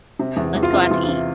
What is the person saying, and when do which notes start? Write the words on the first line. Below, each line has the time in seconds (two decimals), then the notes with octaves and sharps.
"Let's go out to eat."
0.19 C3
0.37 E2
0.55 E2
0.63 F4
0.73 C3 E4
0.91 E2 F4
1.03 F4
1.08 C3 E4